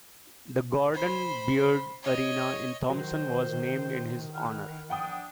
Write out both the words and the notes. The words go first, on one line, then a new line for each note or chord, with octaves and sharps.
The Gordon Beard arena in Thompson was named in his honour.
C5 B5
C#5 D#5
D#3 F#3 C5
E4 F#5 F6
F3 D4 F#5 G5 D#6